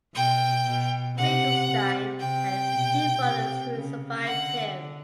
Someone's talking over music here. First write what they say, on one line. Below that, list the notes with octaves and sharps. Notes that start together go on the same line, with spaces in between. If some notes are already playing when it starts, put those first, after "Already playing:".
Finkelstein had two brothers who survived him.
B2 G5
B2
C3 F#5
C3
C3 G5
B2
C3
C#3
D3 F#5